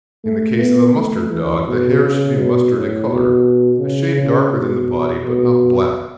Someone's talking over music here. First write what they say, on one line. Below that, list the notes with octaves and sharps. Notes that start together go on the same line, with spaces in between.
In the case of a mustard dog the hair should be mustard in colour, a shade darker than the body, but not black.
A3
B3
A3
E3
B2
C#3
B2
A2
B2
C#3
C#3
B2
B2